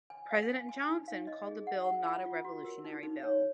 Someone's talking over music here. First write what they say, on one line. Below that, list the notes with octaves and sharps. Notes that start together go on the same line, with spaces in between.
President Johnson called the bill not a revolutionary bill.
G#5
F5
G#5
G#5
D#4
F5
D#5
G#4
F#5
F#5
F4
F4
F#4
A#4
D#4
D#4
C#5